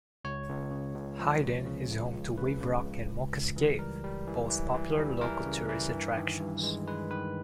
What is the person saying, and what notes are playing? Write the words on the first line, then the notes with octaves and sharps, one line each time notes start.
Hyden is home to Wave Rock and Mulka's Cave, both popular local tourist attractions.
C#2 C#5
C#2
C#3
C#2
F3
C#2
C#3
C#2
C#2
C#3 B4
C#3
C#2
C#2
C#2
E3
G3 A#4
G3
E3
E3
E3
G3
E3 A#4
C#3
E3
G2
D#3
G2
G#3
G#3 B4
D#3 B4